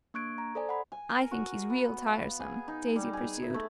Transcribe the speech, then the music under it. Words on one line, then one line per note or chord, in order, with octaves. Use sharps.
"I think he's real tiresome," Daisy pursued.
A#3 D4 C#6 F#6 G#6 D7
A#5
A4 C5 D5 G#5
F#5 B5
G#5
A#4
F#4
B3
F5
G#4
D#4
G3
G#4
E5
A3